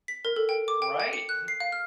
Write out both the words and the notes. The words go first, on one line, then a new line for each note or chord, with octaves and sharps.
Right, mhm.
B6
A#4
A4
G5
D6
G5
G5
C#7
F#6
C7
F5
F6